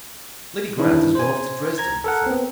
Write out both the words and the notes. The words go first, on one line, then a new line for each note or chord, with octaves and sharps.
"Lady Grant has gone off to Dresden," he said.
D#3 E3 D4 E4
C5 G#5
A#5 G#6
A4 A#4 F#5
B3 C4